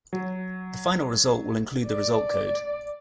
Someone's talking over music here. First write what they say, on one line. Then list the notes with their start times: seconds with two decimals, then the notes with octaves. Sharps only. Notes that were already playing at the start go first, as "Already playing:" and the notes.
The final result will include the result code.
0.13 F#3
1.87 D5